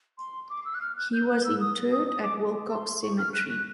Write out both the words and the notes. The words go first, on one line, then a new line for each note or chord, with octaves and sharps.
He was interred at Willcox Cemetery.
C6
D6
E6
F#6
F6
F#6
G6
F#6
E6
D#6
D#6
D#6
D6
C6
C#6
F6
F#6
F#6